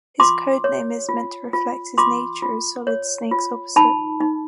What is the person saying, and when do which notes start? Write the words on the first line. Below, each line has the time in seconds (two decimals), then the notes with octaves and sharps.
His codename is meant to reflect his nature as Solid Snake's opposite.
0.20 F4 C6 D6
0.64 C#5
1.09 F4
1.53 F4
1.98 F4 C6 D6
2.42 F4
2.87 C#5
3.31 F4
3.76 D#4 A5 B5
4.21 D#4